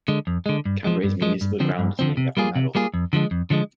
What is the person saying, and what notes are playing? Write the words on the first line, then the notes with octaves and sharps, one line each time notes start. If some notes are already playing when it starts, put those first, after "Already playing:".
Cambre's municipal ground is named after Mallo.
D3 G#3
F2
D3 G#3
G2
F3 G#3
G2
F3 G#3
G2
D3 F3 C4
G2
D3 F3 C4
C3
G3 A#3 F4 G#4
C3
G3 A#3 F4 G#4
F2
D3 F3 G#3
F2
D3 F3 G#3